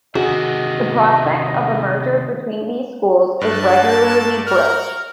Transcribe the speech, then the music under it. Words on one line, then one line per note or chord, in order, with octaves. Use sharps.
The prospect of a merger between these schools is regularly broached.
C3 D#3 F#4 G#4 D#5
G2 A4 D5 A5 F#6
F#4 A#4 F6